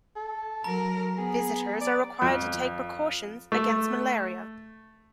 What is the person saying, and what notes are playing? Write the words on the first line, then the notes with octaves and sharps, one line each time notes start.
Visitors are required to take precautions against malaria.
A4
F#3 A#4 A#5
B3 G#4
D5
F2
A3